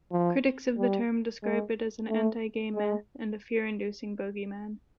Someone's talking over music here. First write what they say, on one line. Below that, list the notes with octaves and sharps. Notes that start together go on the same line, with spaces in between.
Critics of the term describe it as an anti-gay myth, and a fear-inducing bogeyman.
F3
G3
G#3
A3
G#3